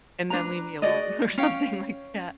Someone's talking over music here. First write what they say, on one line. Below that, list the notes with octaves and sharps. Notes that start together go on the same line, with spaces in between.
and then leave me alone or something like that.
D4 B4 A#5
F#4 G#4 D5 D#5
C#4 C#5 F5 G5